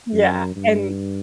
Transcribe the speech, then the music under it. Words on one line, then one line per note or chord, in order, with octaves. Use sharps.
Yeah, and
F#2
G2